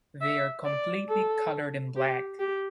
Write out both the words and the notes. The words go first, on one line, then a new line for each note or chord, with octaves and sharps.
They are completely colored in black.
E5
D5
A4
G4
G4